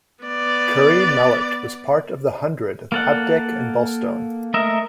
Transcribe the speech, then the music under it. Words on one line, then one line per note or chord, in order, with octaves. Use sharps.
Curry Mallet was part of the hundred of Abdick and Bulstone.
B3 D5
A#3 A4 F#5
A3 A#4 D#5 E5